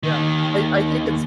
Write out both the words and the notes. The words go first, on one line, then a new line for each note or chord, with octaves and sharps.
Yeah, I I think it's
D#2 D#3